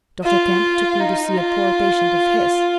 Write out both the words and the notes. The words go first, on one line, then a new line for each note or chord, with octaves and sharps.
"Dr. Kemp took me to see a poor patient of his."
F4
D#4
F4